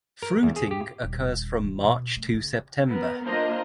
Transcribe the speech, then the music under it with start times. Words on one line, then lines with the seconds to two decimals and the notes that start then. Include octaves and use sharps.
Fruiting occurs from March to September.
0.22 A#4
0.43 E2
0.56 G#4
0.71 G4
1.03 D#1
1.64 D#3
1.84 B2
2.16 A3
2.33 C#3
2.88 B3 A#4
3.25 A#3 D4 F4 A#4 C5 D#5